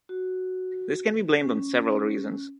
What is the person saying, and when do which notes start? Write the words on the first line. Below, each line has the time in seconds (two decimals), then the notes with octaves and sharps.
This can be blamed on several reasons.
0.09 F#4
1.41 C#4